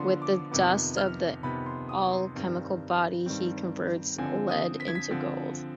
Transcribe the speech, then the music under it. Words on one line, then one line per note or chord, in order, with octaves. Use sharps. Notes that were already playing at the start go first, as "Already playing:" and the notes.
With the dust of the alchemical body he converts lead into gold.
Already playing: D3 F3 B3 D4 C6
D6
F2 C3 D#3 B3 D6
F6
F2 C3 D#3 B3 B5
C6
D#6
C6
G2 D#3 G3 C4
G2 D#3 G3 C4
D3 F3 C4 G#5
D#6
B6
G#6
B6
D3 F3 C4